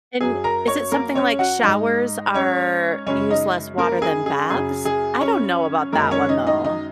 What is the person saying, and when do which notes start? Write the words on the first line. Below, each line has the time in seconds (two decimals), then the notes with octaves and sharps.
and is it something like showers are use less water than baths? I don't know about that one though.
0.21 F#2 F#3 G#4
0.44 A#4 A#5
0.67 C#5 C#6
0.92 A#3 A#4
1.15 C#4 C#5
1.39 F#4 F#5
1.63 G#2 G#3 D#4 D#5
2.34 C#4 C#5
3.06 F#2 C#3 G#3 C#4 C#5
3.30 D#4 D#5
3.78 A#3 A#4
4.02 G#4
4.26 G#4
4.50 F#2 C#3 F#3 G#4
4.85 G#4
5.21 C#4 C#5
5.92 F#2 D#3 G#3 A#3 A#4
6.11 C#4 C#5
6.29 D#4 D#5
6.47 D#4 D#5
6.64 D#4 D#5